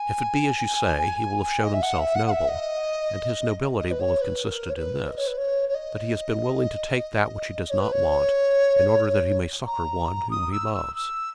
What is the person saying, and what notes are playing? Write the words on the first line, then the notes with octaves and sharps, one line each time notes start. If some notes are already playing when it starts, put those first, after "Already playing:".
If it be as you say, he will have shown himself noble, and his nobility will have consisted in this, that he has been willing to take that which he does not want, in order that he may succour one whom he loves.
Already playing: G#5
D#5
E5
F#5
E5
F#5
F#5
E5
D#5
D#5
B4
C#5
B4
A#4
C#5
B4
D#5
C#5
B4
C#5
C#5
D#5
C#5
B4
C#5
A#5
D#6
E6
E6
E6